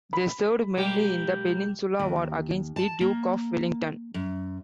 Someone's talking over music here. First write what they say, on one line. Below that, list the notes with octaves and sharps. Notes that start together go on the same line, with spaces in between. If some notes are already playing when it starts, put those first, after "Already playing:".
They served mainly in the Peninsula War against the Duke of Wellington.
B5
B2 F#3 G#3 A#3 G4
D#2
A5
A#3
F#2